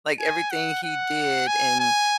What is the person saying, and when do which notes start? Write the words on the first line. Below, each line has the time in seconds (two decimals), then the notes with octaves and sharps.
like, everything he did and,
0.19 G#5
0.51 F#5
0.84 F#5
1.47 G#5
1.80 G#5